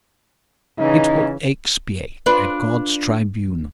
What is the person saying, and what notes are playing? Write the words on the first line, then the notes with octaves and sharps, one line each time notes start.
It will expiate at God's tribunal.
C#3 E3 D#4
D4 F4 B4